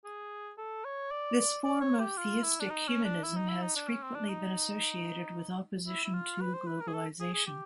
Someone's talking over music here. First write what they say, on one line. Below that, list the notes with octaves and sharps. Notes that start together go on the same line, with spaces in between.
This form of theistic humanism has frequently been associated with opposition to globalisation.
G#4
A4
C#5
D5
D5
C#5
G4
F4
E4
D4
D#4
C#4
D4
E4
D#4
E4
D#4
D4
C#4
C4
D4
D#4
E4
E4
F4
B4
C5
B4
A#4
G#4
A4
G#4
G#4
G4